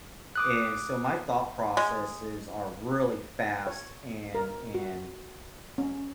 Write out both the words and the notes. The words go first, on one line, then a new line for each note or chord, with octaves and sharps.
and so my thought processes are really fast and and,
D6 D#6 F#6
G#3
C#5
A#4
F#4
C#4